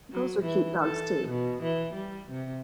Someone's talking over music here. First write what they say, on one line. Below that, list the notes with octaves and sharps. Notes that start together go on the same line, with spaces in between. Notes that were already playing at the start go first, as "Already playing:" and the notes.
those are cute dogs too.
F#3
E3
A4
B2
E3
G3
C3